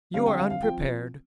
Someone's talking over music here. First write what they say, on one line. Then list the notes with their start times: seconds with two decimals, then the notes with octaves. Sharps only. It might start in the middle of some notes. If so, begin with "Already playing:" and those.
You are unprepared.
0.14 D3 G3 C4 F5
0.26 G5
0.39 F5
0.50 F5
0.63 F3 C4 G5